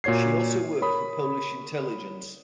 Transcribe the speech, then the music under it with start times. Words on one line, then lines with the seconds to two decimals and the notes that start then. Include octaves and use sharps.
She also worked for Polish intelligence.
0.04 A#2 F#4 C#5 G#6 C7
0.81 A#4 C#5 B5 D#6